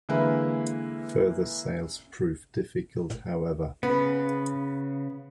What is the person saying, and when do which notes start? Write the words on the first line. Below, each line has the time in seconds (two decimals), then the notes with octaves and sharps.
Further sales proved difficult however.
0.09 D3 E3 G#3 A#3 E4 B4
3.83 C#3 B3